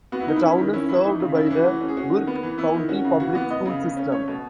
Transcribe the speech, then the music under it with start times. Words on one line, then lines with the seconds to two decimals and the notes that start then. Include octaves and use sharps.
The town is served by the Burke County Public Schools system.
0.12 B3 F#4
0.20 E4
0.27 D#3 D#4
0.36 E4
0.43 C#4
0.58 D#3
0.73 C#4 E4
0.89 E3 E4
1.04 A3 D#4
1.20 C#3
1.35 C#4 E4
1.46 E4
1.51 E3 F#4
1.66 A3
1.81 C#4
1.88 G#4
1.97 C#4 F#4
2.12 D#3
2.27 B3
2.43 E3
2.58 B3 E4
2.74 D#3
2.89 C#4 F#4
3.04 C#3
3.20 E3 F#4
3.35 B3
3.50 B3 D#5
3.65 C#3
3.82 A3
3.97 C#4
4.12 A3 C#5
4.28 B2